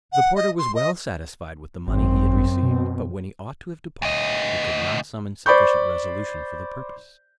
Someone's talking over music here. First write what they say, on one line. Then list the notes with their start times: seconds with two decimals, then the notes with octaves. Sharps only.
The porter was well satisfied with the money he had received; but when he ought to have departed, he could not summon sufficient resolution for the purpose.
0.12 F#5
0.36 D#5
0.58 C6
0.75 D#5
1.88 G#1 F#2 C4
2.63 B2
4.02 D2 D#5
5.46 C5 D5 B5 C#6 G6